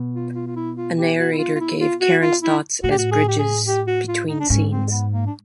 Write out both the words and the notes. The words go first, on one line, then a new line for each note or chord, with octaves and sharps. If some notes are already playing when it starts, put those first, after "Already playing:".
A narrator gave Karen's thoughts as bridges between scenes.
Already playing: B2
F4
F4
F4
E4
F4
G4
F#4
E4
F4
F4
E4
F4
F#4
F4
E4
A2 F#4
G4
F#4
G#4
G4
G#4
G4
F#4
F4
D#4
D4
G#2 C#4
C4
B3
A#3
D4